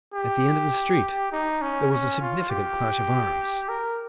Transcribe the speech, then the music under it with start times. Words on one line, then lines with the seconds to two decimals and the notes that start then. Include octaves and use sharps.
At the end of the street there was a significant clash of arms.
0.14 G4
1.33 D#4
1.62 C#4
1.91 C#4
2.21 F4
2.50 G4
3.69 A#4